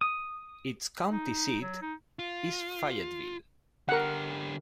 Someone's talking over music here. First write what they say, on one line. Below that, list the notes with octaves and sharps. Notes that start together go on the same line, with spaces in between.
Its county seat is Fayetteville.
D#6
D#4
F#3
D#4
F4
D3 G4 A#4 F#5